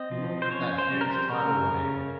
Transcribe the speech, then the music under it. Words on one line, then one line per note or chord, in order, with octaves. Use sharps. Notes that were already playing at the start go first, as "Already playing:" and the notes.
Look at that huge tidal wave.
Already playing: C4 D#5
F3
C5
C#4 C#5
C5
G3
A#4
C5
C#3 A#4
C#3